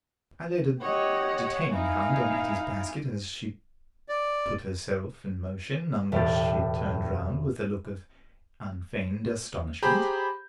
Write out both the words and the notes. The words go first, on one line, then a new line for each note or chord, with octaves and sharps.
I laid a detaining hand on Etty's basket as she put herself in motion, on which she turned round with a look of unfeigned astonishment.
G4 C#5 D#5 F#5
D#4 E4 F5 G#5
D5
E1 A2 G4 A6
G4 G#4 C5 A#5 B5 G6